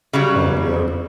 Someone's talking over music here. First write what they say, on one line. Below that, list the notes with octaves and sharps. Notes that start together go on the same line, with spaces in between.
Oh, yep.
C#3 F#3 G3